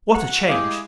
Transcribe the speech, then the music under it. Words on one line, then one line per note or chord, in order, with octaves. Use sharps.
What a change!
F#4 F#5
G#3 E4 G4 G#4 D#5 F5